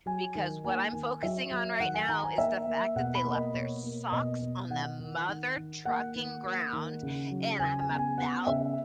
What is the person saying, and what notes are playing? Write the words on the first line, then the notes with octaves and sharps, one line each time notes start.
Because what I'm focusing on right now is the fact that they left their socks on the mother trucking ground, and I'm about
F#3 G#5
D#3
A#3 G#5
D#3 G#5
F#3 E5
F#3
D#3 F#5
G#5
D#3 A#5
G#5
A#3 E5
A#3
B2 F#5
B5
A#3
D#5
B2 C#5
A#3
B2 D#5
B2
D#3 F#5
D#3
D#3
D#3
A#3 F#5
D#3
A#3
D#3
C#3
F#3
C#3 G#5
G#5
B3
G#5
B3 F#5
C#3 E5